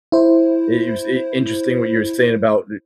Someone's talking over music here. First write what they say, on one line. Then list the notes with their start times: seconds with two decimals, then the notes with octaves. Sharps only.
It it was i interesting what you were saying about,
0.12 E4 C5